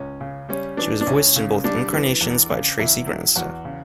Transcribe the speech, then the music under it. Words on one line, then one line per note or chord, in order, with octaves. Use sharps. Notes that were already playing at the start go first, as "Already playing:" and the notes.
She was voiced in both incarnations by Tracy Grandstaff.
Already playing: C#2 C#4
C#3
G3 C#4
E3 D4
D4
C#2 C#4
C#3
G3 D4
E3
E2
C#3
E2 E4
F#3
E2 F#4
C#3